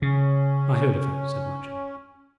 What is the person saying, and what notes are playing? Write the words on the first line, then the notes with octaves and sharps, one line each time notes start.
"I heard of her," said Matcham.
C#3 C#4